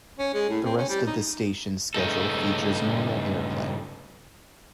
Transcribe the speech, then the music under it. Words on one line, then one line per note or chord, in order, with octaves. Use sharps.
The rest of the station's schedule features normal airplay.
C#4
G#3
A2
C4
C#4
G3
D#4
G2 C#3 A3 D#4 A4